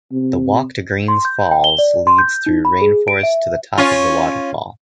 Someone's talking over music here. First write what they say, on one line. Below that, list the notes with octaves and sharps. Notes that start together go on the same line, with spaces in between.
The walk to Greene's Falls leads through rainforest to the top of the waterfall.
C3
C6
G6
G5
G7
D5
C6
G6
D#4
B5
G#4
D7
E5
C#4 F4